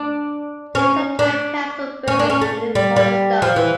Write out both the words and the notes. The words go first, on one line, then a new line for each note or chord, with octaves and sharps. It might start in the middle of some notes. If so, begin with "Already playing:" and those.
There is a time capsule buried in the cornerstone.
Already playing: D4
C#4
D4
C#4
D4
C#4
A3
G3
G3
F3
E3